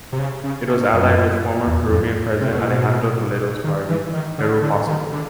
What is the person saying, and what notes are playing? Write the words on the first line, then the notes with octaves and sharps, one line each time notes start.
It was allied with former Peruvian president Alejandro Toledo's party, Peru Possible.
C3
C#3
C#3
C3
F#2
E2
F2
C3
B2
A#2
B2
D#3
E3
D#3
D3
D3
D#3
D3